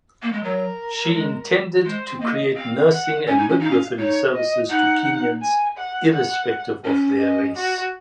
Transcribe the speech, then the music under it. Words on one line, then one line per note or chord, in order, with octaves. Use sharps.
She intended to create nursing and midwifery services to Kenyans irrespective of their race.
A#3
G#3
F#3 A#4
F#3
G#3
G#3 C5
C4
A#3 D#5
C4 F5
F#5
C#4 G#5
D#4
C#4
D#4 F5
C#4
D#4 C#5
D#5
D#4 F#5
G#5
F#5
F#5
C#4
D#5
F#4